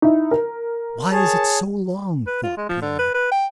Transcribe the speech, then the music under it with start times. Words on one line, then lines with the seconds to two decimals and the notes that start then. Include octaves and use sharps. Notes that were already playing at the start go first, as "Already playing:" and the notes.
"Why is it so long?" thought Pierre.
0.02 D#4 E4
0.31 A#4
1.12 G#4 C#5 A5
2.27 B4
2.43 F4
2.57 G#3
2.69 F3
2.82 D3
2.99 B4
3.14 B4
3.31 G5